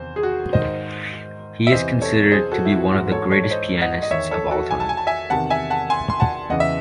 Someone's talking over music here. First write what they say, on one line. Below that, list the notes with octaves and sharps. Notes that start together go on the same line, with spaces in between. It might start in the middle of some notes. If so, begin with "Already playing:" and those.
He is considered to be one of the greatest pianists of all time.
Already playing: E2 C3 D#3 C5
G#4
F#4
G#2 D#3 C5 D#5
E5
E2 C3 E3 C5 D#5
A4 C#5
G#4 C5
F#4 A4
E4
F#4
G#2 E3 F#4
A4 C#5
A4 C#5
C#5
C5 D#5
D#5 F#5
D#5
E2 D#3 C#5 E5
A4 C#5
F#4 A4
G#5
A5
G#5
A5
E5 G#5
E2 C3 D#3 F#5 A5
E5 G#5
F#5 A5
G#5 C6
C6
F#5 A5
E2 C#3 E3 D#5 F#5
E5